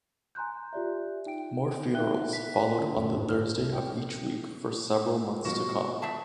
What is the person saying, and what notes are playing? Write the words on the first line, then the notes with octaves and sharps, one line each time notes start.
More funerals followed on the Thursday of each week for several months to come.
G#5 A#5 C6 F#6 G6
F4 G4 D5 E5
D#4 G5 D7
D#4 E5 G5 F#6 G7
B6
D3
F#1
G#2
F6
G#4
C2
G5
B2 F3 F#4
B3 E5 A5